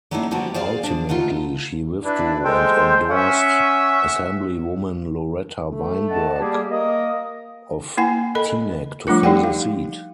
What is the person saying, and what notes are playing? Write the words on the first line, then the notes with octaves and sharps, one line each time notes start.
Ultimately, she withdrew and endorsed Assemblywoman Loretta Weinberg of Teaneck to fill the seat.
F#3 A3 A#3 C#4 D#4 E4
D3 F3 G3 B3 F#4 G4
G#4 C5 D5 F5
F3 D4
D3 A3 D#4 F4
D4 E4 B4
G#3 A4 C5 G5
C#4 E5 F#5
A3
D#5 F#5 A5
G3 A#3 G4 G#4
A#3 D#5 D#6
A#3 E4 F#5 G#5
A4 A#4 D#5 B5
F3 G3 A3 D4 F4 A#4
D#4 E4 G4 D5 F#5 G5
F5